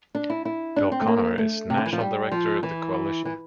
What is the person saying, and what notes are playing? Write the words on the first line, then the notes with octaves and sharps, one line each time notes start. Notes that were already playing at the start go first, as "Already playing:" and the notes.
Bill Connor is national director of the coalition.
D4
E4
E4
D4
C4
A3
A#3
A3
C3
D3
E3
F3
G3
F3
E3
E3